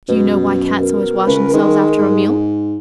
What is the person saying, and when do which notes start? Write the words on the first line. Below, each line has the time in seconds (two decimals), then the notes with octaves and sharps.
Do you know why Cats always wash themselves after a meal?
0.08 F#2 B2
0.80 B2 A#4
1.27 C#2 B4
1.54 D#3 G#3
1.98 G#2